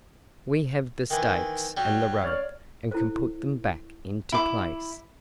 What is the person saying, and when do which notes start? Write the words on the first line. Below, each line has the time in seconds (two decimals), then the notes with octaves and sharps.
"We have the stakes and the rope and can put them back into place."
1.10 D#3 E3
1.77 F#3 G3
2.23 C#5 D5 F5
2.91 E4 A4 C5
4.32 E4 D6